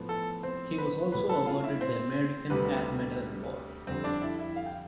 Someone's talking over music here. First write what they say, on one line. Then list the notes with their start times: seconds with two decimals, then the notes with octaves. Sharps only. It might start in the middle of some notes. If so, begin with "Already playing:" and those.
He was also awarded the American Air Medal and Bar.
Already playing: A2 F3 B3
0.09 A4
0.43 C4 C5
0.78 B4 B5
1.12 A2 G3 B3 B4 B5
1.29 A4 A5
1.46 F4 F5
1.64 E4 E5
1.81 C4 C5
2.50 D2 C3 G3 B4
3.87 F2 D3 G3 C4 C5
4.04 D4 D5
4.22 E4 E5
4.39 E4 E5
4.56 F5
4.66 G5